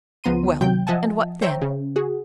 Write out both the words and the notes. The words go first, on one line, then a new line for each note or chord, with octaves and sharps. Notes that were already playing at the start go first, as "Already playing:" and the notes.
"Well, and what then?"
C#2 F3 B3 A#5 C6 D#7
D#2 C3 F#3 G5 G6
F3 D#5 E5 F#5 G#5 A5
C5 C#5 E5 G5 A#5
C#3
F#4 G#4